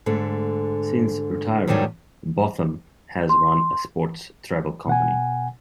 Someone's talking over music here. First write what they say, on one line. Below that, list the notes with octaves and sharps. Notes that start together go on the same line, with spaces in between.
Since retiring, Botham has run a sports travel company.
G#2 D3 A3
G#2 D3 D#3 F#3 G3
C6
B2 F#5 G#5